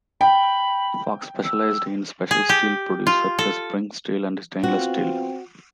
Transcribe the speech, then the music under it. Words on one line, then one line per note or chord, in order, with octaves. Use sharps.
Fox's specialised in special steel produce such as spring steel and stainless steels.
G5 B5
E6
G#4
G4
F4
A4
B3 C4 F4 F#4